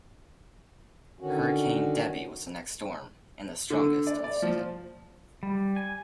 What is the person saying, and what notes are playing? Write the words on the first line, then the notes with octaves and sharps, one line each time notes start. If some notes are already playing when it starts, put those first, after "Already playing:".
Hurricane Debby was the next storm and the strongest of the season.
D3 D#3 C#4 F#4
D3
D5
D5
F3
G3
G#5